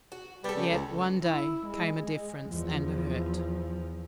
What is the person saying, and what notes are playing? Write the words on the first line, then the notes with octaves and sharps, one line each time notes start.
Yet, one day, came a difference and a hurt.
F#4
G3 B3 A4
C#3
C#2
E4
G#3
E2 F3